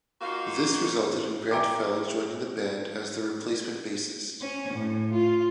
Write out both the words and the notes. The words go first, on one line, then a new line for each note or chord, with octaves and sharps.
This resulted in Grant Fell joining the band as the replacement bassist.
A#3 D#4 F4 F#4 C5 F5
E5 G5 G#5 A#5 D6
C#4
A2
F4